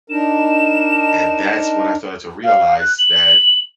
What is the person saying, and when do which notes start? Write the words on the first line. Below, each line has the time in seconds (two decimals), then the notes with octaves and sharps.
and that's when I started to realize that
0.10 D4 D#4 A#4 E7
2.43 F5
2.79 F#6
2.98 F#7